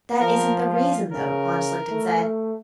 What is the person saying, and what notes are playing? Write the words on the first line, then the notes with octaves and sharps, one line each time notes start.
"That isn't the reason, though," von Schlichten said.
F3 A#4
F4
C#3 A#4
A3